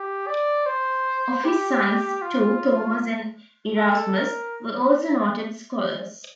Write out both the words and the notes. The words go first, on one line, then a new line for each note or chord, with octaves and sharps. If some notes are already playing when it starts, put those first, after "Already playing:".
Of his sons, two, Thomas and Erasmus, were also noted scholars.
Already playing: G4
D5
C5
G4
F4
A4
A#4